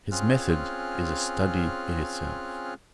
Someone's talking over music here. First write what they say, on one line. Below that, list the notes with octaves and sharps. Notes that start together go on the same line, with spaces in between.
His method is a study in itself.
C4 C#4 F4 G#4 F6 F#6